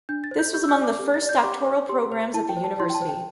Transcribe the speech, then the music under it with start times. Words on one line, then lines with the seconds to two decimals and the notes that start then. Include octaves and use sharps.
This was among the first doctoral programs at the university.
0.09 D4 G6
0.24 A6
0.31 C5
0.39 G6
0.53 G4 G6
0.64 E6
0.69 G6
0.76 D5
0.84 D6
0.99 G4
1.14 A6
1.22 D5
1.29 G6
1.37 C6
1.44 G4 D6
1.66 C5
1.89 G4 C6
2.12 C5
2.34 E4 A5
2.49 G5
2.57 C5
2.64 A5
2.80 E4 C6
2.90 G5
2.94 A5
3.02 C5
3.09 G5